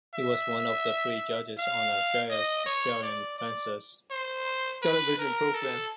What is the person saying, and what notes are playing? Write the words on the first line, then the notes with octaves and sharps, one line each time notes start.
He was one of three judges on Australia's "Australian Princess" television programme.
E5
F5
D#5
C#5
D5
D5
C5
B4
A#4
A4